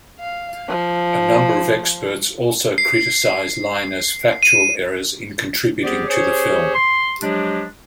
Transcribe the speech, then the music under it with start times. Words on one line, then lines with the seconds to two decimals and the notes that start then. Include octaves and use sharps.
A number of experts also criticised Lynas's factual errors in contributing to the film.
0.20 F5
0.68 F3
2.78 C7
4.43 D#7
5.84 G3 B3 G4 G#4 C5 D5
6.08 C#4 G4 G#4 C5 C#5
6.75 C6
7.21 F3 F#3 G#3 D4 G4